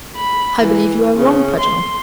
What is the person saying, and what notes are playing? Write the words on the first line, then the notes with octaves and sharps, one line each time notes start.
"I believe you are wrong, Paganel."
B5
E3
C#3
C6